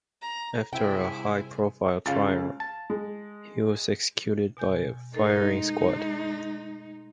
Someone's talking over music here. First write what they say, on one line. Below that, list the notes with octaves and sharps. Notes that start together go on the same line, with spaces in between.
After a high-profile trial, he was executed by a firing squad.
A#5
C3 G3 E4 G#4 C5 G5
C#2 C#3 F5 A6
A5
G#3
B2 G#5 G6
G#3 A3 D#4 A4 A#4